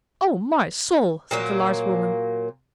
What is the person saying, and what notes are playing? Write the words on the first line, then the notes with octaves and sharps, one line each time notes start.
"O my soul!" said the large woman.
A#2 F#3 A#3